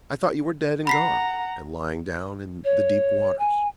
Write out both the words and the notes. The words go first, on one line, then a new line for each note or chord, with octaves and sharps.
'I thought you were dead and gone, and lying down in the deep waters.
F#5 A#5 B5 B6 C7
C#5
G#5